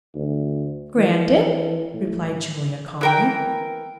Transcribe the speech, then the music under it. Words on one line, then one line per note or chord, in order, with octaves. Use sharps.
"Granted," replied Julia calmly.
D2
E3
A2
E3 A#4 G5